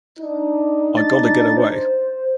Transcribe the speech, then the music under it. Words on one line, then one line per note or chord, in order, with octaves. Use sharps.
I gotta get away.
D4 D#4
A6
C5